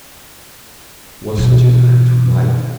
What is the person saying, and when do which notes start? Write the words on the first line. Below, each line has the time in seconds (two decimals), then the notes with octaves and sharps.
Was such an act right?
1.38 B2 E3